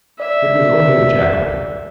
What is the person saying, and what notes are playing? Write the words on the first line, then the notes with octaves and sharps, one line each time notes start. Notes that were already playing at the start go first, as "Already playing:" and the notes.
It was only a jackal.'
D5 E5